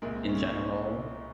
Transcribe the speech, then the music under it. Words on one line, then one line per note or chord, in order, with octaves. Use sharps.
in general.
C2 A#2 G#3 A#4
C4
C#4
C#4